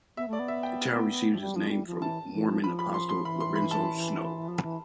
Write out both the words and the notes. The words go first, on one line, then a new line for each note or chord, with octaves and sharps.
The town received its name from Mormon apostle Lorenzo Snow.
B3 E5
A3 D5
B3
E5
G5
F3
G3
F3
A3
G3
F3
E3 A5
E3
F3
F3 B5
B5
C6
C6
E3 B5
C6
B5
A5
F3
E3